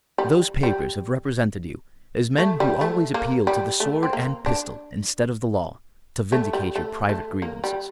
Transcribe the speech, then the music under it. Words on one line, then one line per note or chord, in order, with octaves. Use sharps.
Those papers have represented you as men who always appeal to the sword and pistol, instead of the law, to vindicate your private grievances.
G3
G3
A3
G3
A3
A#3
G3
A3
C4
A#3
D4
A3
G3
A3
A3
A#3
G3